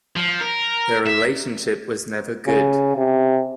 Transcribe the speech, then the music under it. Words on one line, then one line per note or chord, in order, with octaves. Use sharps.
Their relationship was never good.
F3
A#4
E5
C#3
C3